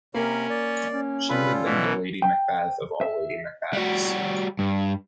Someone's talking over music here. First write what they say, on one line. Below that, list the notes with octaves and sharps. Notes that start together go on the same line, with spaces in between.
She would have been the Lady Macbeth of all Lady Macbeths.
C3 A#3 C#4 A#4 B5
D5
C#4
G3 F4 A4 B4 B5
B2 E3
G5
E5
G3 F#4
G2